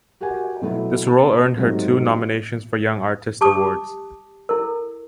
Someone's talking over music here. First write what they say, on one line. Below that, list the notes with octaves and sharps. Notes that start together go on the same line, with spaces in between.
This role earned her two nominations for Young Artist Awards.
F#4 G4 A#4 F#5 G#5
B2 F#3 A3 B3 E4
A5
G#2 C3 F#3 A3
G4 A5 D6 D#6
E4 A4 A#4